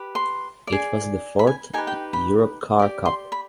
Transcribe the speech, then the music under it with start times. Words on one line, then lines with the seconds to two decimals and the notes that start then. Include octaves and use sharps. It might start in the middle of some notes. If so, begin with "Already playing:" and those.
It was the fourth Europcar Cup.
Already playing: G4 B4
0.15 C6
0.67 D5
0.72 G#4
1.39 B5
1.47 G#5
1.73 D#4 G4 B4 G#5
1.87 G5
2.13 B5
2.79 G4 D5
3.06 C6
3.32 B5